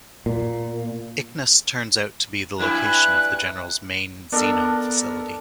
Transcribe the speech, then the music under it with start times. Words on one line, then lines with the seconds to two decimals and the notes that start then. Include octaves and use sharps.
Icnus turns out to be the location of the General's main Xenome facility.
0.26 A#2
2.59 G2 E4 B4 G#5 F#6
4.32 B3 D4 A4 A#4 D#5